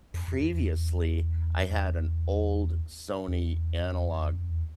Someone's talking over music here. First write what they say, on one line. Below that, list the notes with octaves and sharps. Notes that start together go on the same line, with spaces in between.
previously, I had an old Sony analog
F2
F2
F2
E2
F2
E2
E2
F2
E2
F2
E2
F2
E2